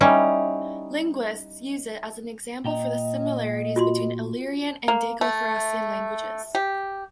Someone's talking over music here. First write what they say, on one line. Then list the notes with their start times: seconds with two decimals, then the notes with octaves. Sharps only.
Linguists use it as an example for the similarities between Illyrian and Daco-Thracian languages.
0.01 G3 C#4 D#4 E4
2.65 A#2 D#5 G5 A#5
3.76 F4 F#4 C6
4.88 A#3
5.21 A3
6.55 G4